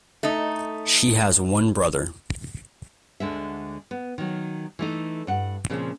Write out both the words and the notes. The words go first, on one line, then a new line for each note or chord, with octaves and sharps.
She has one brother.
A3 D#4
D2 D3 G#3 E5
B3
D#3 F#3
E3 A3 D#4
G2 F#5
A#2 C#3 F3 C4